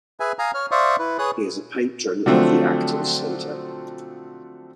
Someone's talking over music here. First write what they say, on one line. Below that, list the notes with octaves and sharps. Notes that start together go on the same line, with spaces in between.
He is a patron of the Actors' Centre.
G#4 B4 E5 G#5
F5 G#5 A#5 D#6
C#5 F6
C5 D5 E5 F5 C#6 D#6
E4 B4
G#4 B4 C#5 D#6 F#6
D3 F3 F#3 A3 C4